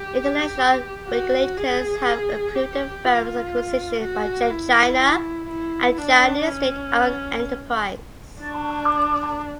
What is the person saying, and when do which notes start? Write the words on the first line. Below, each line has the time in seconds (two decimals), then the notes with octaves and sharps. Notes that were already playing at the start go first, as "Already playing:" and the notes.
International regulators have approved the firm's acquisition by ChemChina, a Chinese state-owned enterprise.
Already playing: G4
1.09 F#4
1.57 G#4
2.55 G4
3.04 F4
4.02 F#4
4.51 E4
5.49 E4
5.98 D4
6.47 C#4
8.42 D4